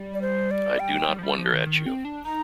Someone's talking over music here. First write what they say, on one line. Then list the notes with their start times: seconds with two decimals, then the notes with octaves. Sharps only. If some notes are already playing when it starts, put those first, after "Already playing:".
I do not wonder at you.
Already playing: G3
0.14 D5
0.22 C5
0.51 D5
0.79 G5
1.09 G3
1.19 F3
1.23 G3
1.38 F3
1.53 D#3
1.66 D#3
1.86 C4
2.05 D4
2.25 D#4 A#5